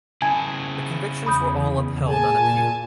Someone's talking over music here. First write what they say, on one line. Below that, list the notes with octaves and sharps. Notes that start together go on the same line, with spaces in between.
The convictions were all upheld on appeal.
C#3 E4 G#5 A5 G#6
E2 B5 D#6 G6
A#2 G#4 G#5 A5